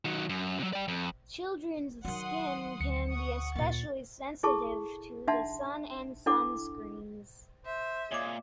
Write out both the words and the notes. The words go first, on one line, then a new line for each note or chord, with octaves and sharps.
Children's skin can be especially sensitive to the sun and sunscreens.
D#3 F#3
F#2
C3 F#3
D5 G5
F2
D#3 F#3 F#5 C6 D#6
D2 C#7
F#5 C#6 D#6
A#2 A#3 A6
E4 G#4 A4 A5 C#6
D4 D#4 E5 F#5 A5 C6
D4 E4 A4 F#5 D6
C5 E5
A#2 G#4 C#5 D#5 D6